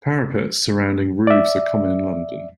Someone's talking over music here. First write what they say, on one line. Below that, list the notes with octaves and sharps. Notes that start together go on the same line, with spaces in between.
Parapets surrounding roofs are common in London.
D5 E5